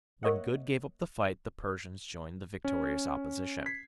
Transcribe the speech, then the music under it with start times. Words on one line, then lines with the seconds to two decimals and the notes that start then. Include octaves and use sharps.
When Good gave up the fight the Persians joined the victorious Opposition.
0.23 A#3 C#5 D#5 E5 F#5
2.64 C#4
3.66 G#6 B6 C7